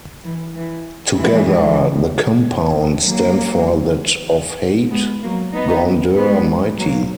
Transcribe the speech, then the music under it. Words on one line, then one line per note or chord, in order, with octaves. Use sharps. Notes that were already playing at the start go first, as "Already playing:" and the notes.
Together, the compound stand for That of height, grandeur, mighty.
E3
E3
E3 G#3
F#3 A#3
G#3 B3
F#3 A#3
B3 D#4
G#3 B3
F#3 A#3